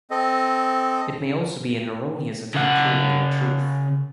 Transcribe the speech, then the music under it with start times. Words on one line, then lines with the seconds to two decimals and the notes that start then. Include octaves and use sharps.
It may also be an erroneous attempt to reveal a truth.
0.10 C4 A4 D#5
2.54 C#3 F#5